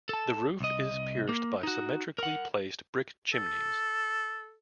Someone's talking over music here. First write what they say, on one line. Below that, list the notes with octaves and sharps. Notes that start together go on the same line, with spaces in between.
The roof is pierced by symmetrically placed brick chimneys.
A4 A5
C2 D#5
A#3
D#4 F#4
A#4 F#5
A4